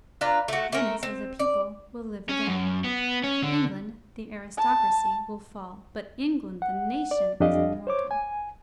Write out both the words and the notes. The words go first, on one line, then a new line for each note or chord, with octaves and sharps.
Venice, as a people, will live again; England, the aristocracy, will fall, but England, the nation, is immortal.
D4 F4 B4 A#5
A3 F#4
A3 A#4
C4
D5
C#4
F#2
B3
C#4
D3
A5
F#5
D5
F2 D4 G4 D#5 F5
C5 C#5 D6
G#5